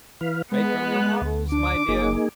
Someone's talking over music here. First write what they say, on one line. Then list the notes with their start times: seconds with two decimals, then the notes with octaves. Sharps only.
Make 'em your models, my dear.
0.21 E3 B4 F5
0.52 G#3 B3 B4
0.87 F#6
1.21 D2
1.52 D4 D6
1.88 F#1 A#3 D#4 G#4